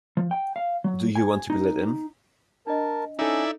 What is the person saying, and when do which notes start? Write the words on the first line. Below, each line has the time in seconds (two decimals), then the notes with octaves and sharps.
Do you want to be let in?
0.17 F3
0.31 G5
0.56 F5
0.84 F#3
1.15 G#5
1.50 D#4
2.67 D4 A#4 D#5 A5
3.19 C#4 D#4 E4 A4 D5 E5